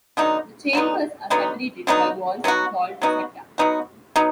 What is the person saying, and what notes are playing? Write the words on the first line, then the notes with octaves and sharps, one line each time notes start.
The chambers are separated by walls called septa.
D3 F#3 B3 D#4
D3 F#3 B3 D#4
D3 F#3 B3 D#4
D3 F#3 B3 D#4
F#3 B3 D#4 F#4
F#3 B3 D#4 F#4
F#3 B3 D#4 F#4
F#3 B3 D#4